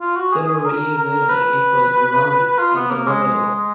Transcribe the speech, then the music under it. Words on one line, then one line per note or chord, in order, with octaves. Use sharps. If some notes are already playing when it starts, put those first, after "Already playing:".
Several years later, it was remounted at the Mogador.
F4
F#4
G#4
G#4
A#4
A#4
B4
F4
B3
A#3
G#3
G#3
G#3